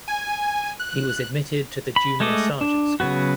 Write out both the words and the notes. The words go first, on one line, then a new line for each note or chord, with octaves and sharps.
He was admitted to the junior sergeant school.
G#5
F#6
B5
G#3 A3 A4 D#5 D6
D4
C#3 F#3 B3 F#4